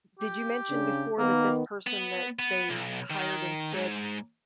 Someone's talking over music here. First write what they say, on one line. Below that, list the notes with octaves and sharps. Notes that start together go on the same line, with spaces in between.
did you mention before that this person that they hired instead,
G4
C#3 D4
D#3 A#3 B3
B3
B3
B1
D#3
G#2